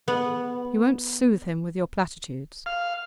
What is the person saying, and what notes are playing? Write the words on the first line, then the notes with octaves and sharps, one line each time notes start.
"You won't soothe him with your platitudes."
B3
F5